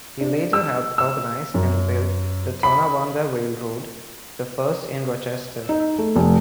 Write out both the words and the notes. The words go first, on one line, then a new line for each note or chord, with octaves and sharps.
He later helped organize and build the Tonawanda Railroad, the first in Rochester.
D4
E6
E6
F#2
B5
D#4
A3
F1